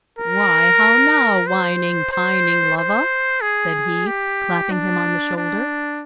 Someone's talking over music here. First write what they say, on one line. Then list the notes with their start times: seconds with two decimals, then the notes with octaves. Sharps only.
"Why how now, whining, pining lover?" said he, clapping him on the shoulder.
0.19 A#4
1.47 C5
2.12 C5
2.78 C5
3.41 G#4
4.07 G4
4.71 D4
5.36 D4